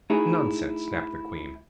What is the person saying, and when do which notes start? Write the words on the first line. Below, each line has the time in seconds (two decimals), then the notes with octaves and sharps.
'Nonsense!' snapped the queen.
0.10 A3 D#4 E4 F#4 G#4